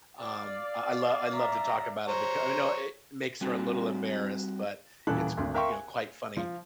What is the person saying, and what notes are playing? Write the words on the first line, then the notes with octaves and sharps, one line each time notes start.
um, I lo I love to talk about it beca you know, it makes her a little embarrassed, but it's, you know, quite funny.
D5 F5
E5 A#5
C5 C#5 A#5
G3 C4 F#4
D#1 C#3 E3 A4 F#6
G#1 D2
A#4 E5 F5 G5 C6 C#6
G#5
F3